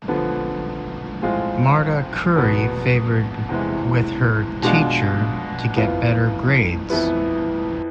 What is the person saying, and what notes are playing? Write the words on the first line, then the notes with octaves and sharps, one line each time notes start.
Marta curry favored with her teacher to get better grades.
D3 F3 B3
A2 G#3 C4 F4
E2 B2 B3
E2 C3 E3 G#3
B2 G#3 D4 F4
F2 E3 B3 F4
F2 E3 B3 E4